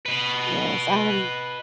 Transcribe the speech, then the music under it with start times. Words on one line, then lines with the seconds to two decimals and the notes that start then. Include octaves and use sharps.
Yes. I'm
0.06 B4 D#5